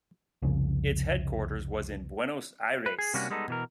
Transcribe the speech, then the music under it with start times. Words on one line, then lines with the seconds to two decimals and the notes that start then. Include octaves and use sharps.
Its headquarters was in Buenos Aires.
0.42 C2 F2 C#3
2.86 B4
2.99 G#4
3.14 C3 G3 A#3 C#4 D4 F#4
3.30 G3 G#3 B3 D#4 A4
3.48 B2 E3 A#4